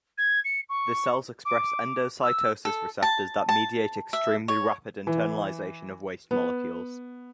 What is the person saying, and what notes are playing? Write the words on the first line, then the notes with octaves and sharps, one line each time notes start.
The cells express endocytosis receptors that mediate extremely rapid internalization of waste molecules.
G#6
C#7
C#6
D6
E6
A4
A5
A5
E5
C#5
E3
B3